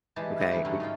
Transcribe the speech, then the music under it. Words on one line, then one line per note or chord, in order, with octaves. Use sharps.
okay? Y
E3 G3 G#3 G4 A5
C4 E4 G4 G#4 C#5 F5
E2 G2 G3 G4
D3 F#3 G3 A3 C#4 E4
G#2 D#4 F4 G5